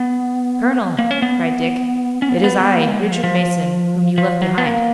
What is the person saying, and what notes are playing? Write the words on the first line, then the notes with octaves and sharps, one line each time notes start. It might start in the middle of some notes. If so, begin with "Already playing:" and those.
"Colonel," cried Dick, "it is I, Richard Mason, whom you left behind!"
Already playing: B3
A#3
C#4
B3
C#4
B3
A#3
B3
B3
A#3
G#3
F#3
F3
F3
F3
F#3
B3
A#3